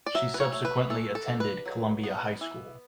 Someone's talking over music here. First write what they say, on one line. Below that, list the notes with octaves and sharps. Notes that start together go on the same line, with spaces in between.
She subsequently attended Columbia High School.
D5
F#3 E5
B4
C#5
A3
B4
E3 A4
A4
D4
B4
F#3
B3
E3